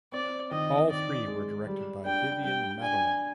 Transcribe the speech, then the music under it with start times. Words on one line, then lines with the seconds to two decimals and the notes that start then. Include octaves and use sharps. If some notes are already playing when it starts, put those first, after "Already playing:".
All three were directed by Vivian Matalon.
0.12 C4 D5
0.51 D#3 D#5
0.89 D#3 D5
1.27 G#3
1.67 G3
2.05 D4 G5
2.44 G3 G5
2.82 D4 G#5